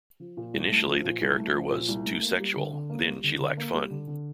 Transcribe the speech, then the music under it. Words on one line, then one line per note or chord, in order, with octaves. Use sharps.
Initially the character was "too sexual," then she lacked fun.
F3
A#2
C2
A3
F3
A#2
C2
A3
F3
A#2
C2
A3
A#3
G3
D3
D3
A#3
G3
D3
D3
A#3
G3
D3
D3